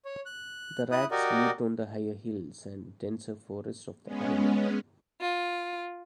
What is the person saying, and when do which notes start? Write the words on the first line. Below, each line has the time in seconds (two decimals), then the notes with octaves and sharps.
The rats lived on the higher hills and denser forests of the island.
0.05 C#5
0.26 F#6
0.91 E4 D#6 F#6
1.11 F#4 G4 A#4 D5 D#5
4.04 G#3 B3 C#4
5.20 F4